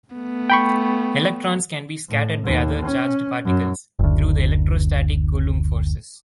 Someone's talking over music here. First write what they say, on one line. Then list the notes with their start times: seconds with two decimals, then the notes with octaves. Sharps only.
Electrons can be scattered by other charged particles through the electrostatic Coulomb forces.
0.16 A3 B3
0.50 G5 B5 C#6
2.10 A2
2.45 D#2
2.85 C#4
3.45 F#2
3.99 F#1 D2